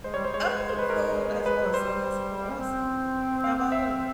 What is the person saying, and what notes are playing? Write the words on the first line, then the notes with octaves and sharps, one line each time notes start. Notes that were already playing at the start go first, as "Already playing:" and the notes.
Oh, cool! That's awesome, that's so awesome. How 'bout you?
G#3 C5
G3 C#5
G#3 C5
C#5
C5
C5
B4
A#4
B4
F#3
G3 C5
C#4
C4
F5
E5